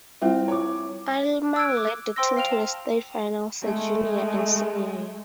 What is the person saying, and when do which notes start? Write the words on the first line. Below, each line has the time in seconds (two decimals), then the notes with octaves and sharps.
Aylmer led the team to the state finals her junior and senior year.
0.22 G3 C4 E4 F4 E5
0.48 C#5 D6
1.56 E6 F#6 G#6 D7
1.77 D6
2.16 C5 G5 C6 E6 A#6
2.36 F5 G5 F6 F7
2.51 A5
3.62 G#3 A3